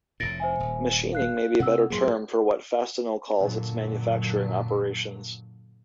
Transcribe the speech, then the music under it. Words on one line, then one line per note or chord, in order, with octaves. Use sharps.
Machining may be a better term for what Fastenal calls its "manufacturing" operations.
F1 A2 A6 A#6 D7
C5 E5 G#5
D#1
F5 F#6 C7
C3 F#5 E6
A2 F#3 A#3 G#4 C6
F#2 A#2 D3 F#3